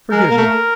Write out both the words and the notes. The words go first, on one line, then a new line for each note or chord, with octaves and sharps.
Forgive me! ...
G#3 A#4
A#3
A3